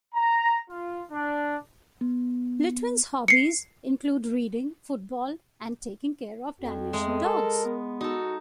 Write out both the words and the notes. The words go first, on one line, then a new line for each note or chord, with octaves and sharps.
Lytvyn's hobbies include reading, football, and taking care of dalmatian dogs.
A#5
F4
D4
B3
C7 C#7
F2 F#4
G#3 A3
A4 A#4
B3
D#4 F#4 A4